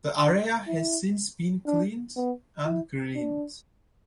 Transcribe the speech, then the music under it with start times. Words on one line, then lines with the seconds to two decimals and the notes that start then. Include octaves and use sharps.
The area has since been cleaned and greened.
0.17 D4
0.67 E4
1.66 D4
2.16 B3
2.66 E4
3.15 D4